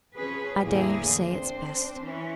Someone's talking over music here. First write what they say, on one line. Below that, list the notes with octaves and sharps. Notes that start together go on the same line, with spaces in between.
I dare say it's best.
F3 C#4 G#4 B4
E2 A2 D3 E3 A#3 G#4
C4 D4 C5
E3 C#4